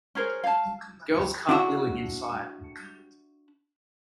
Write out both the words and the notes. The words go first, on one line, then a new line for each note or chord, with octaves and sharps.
Girls cartwheeling inside.
C#4 G#4 A#4 C5
F5 A5
D4 E4 F#4 E5